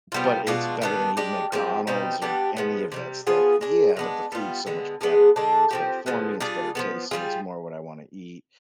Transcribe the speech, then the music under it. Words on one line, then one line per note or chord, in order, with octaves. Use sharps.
but it's better than eating McDonald's or any of that stuff yeah, but the food's so much better. It's better for me, it's better taste, and it's more what I wanna eat.
C3 G3 B3 F4
B2 G#3 D4 F4
D#3 G3 B3 D4
G#3 D4 G4
F3 G#3 C4 G4
B2 G3 C4 D#4
G3 B3 D4 G4
F3 G#3 B3
C3 D#3 G3
F3 B3 F4 G#4
G#3 D4 G#4
G#3 B3 D4
G3 B3 F4
D3 G#3 B3
G#3 B3 D4 G#4
D3 G#3 D4
F3 G#3 C4 G4
D3 F3 G#3 B3
G3 D4 F4 G#4
F3 G#3 B3
G3 B3 F4 G#4